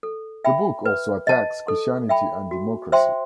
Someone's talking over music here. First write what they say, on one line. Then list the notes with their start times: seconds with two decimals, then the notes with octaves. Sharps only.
The book also attacks Christianity and Democracy.
0.03 A4
0.45 E5 G5 B5
0.85 B4
1.27 D#5 A5
1.68 A4
2.09 E5 G5 B5
2.51 F#4
2.92 C5 E5 G5 C6